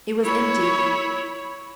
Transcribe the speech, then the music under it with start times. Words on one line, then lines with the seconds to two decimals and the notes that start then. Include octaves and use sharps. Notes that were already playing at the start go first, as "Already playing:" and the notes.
It was empty.
0.23 E4 C#5